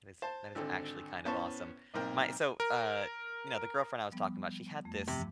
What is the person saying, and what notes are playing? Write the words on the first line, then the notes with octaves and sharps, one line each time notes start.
That is that is actually kind of awesome. My so, uh, you know, the girlfriend I was talking about, she had this
C5 A5
G#1 D3 C4 A4
A2 B3 C#4 C5 A5 C#6
B1 G#2 A#3 C4 A#4 G5
A#4
F3 G3 B3
F2 A3
G2 C3 E3 F3